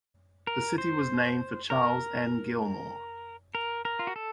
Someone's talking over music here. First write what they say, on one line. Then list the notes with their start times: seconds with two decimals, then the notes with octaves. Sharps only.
The city was named for Charles N. Gilmore.
0.47 A#4
0.78 C5
1.70 A#4
3.55 A#4
3.85 A#4
3.99 F4
4.07 F#4
4.16 A4